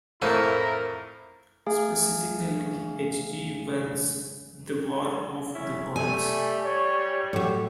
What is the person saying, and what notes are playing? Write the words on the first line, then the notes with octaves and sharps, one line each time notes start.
Specifically, H. G. Wells' "The War of the Worlds".
F2 A2 E4 A4 A#4 C5 G#5
A3 G#4 F5 G#5
C#4 E4
G3 A3 G#5
C#5
A2 F#3 G4 C#5